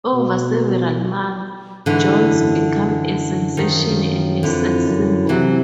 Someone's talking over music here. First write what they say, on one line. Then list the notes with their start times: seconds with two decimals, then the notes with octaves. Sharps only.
Over several months, Jones became a sensation and a sex symbol.
0.15 B2
1.86 G#2 D3 E3
2.29 F#2
2.72 F#2
3.57 D#3 F3
4.43 F2 D3 E3
4.86 F#2
5.29 C3 E3 F#3